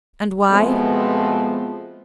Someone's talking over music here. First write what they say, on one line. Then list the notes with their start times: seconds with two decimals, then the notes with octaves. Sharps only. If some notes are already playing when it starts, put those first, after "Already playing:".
And why?
0.51 B2 F3 G#3 A3 B3 C4